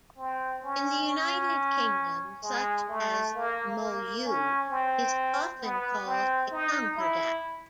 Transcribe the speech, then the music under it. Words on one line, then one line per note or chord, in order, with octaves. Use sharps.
In the United Kingdom, such an MoU is often called a "concordat".
C4
C#4
C#4
G#3
A3
A#3
A#3
C#4
C4
B3
C4
D#4
E4